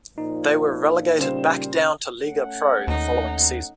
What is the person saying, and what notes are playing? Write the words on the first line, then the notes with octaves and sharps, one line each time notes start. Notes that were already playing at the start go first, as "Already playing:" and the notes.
They were relegated back down to Lega Pro the following season.
A#2 F3 D#4
C#3 G3 C5 E7
A3 C#4 F#5
D#2 D#4